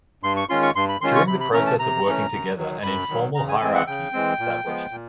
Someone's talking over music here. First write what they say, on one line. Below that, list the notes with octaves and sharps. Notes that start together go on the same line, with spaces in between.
During the process of working together an "informal hierarchy" is established.
G2 C6
C#6
D#3 G#3 C#4 F4 C6
C#6
G2 C6
B5
D#3 G#3 C#4 F4 C6
C#6
C3 B5
B5
E3 A3 C#4 A#5
A5
C3 A#5
E3 A3 C#4
F#2
D#3 F#3
F#2 B5
D#3 F#3
C#3 A#5
G#5
E3 G#3 C4 G#5
F#5
C#3 G5
E3 G#3 C4
A#2
F3 G#3 B3
A#2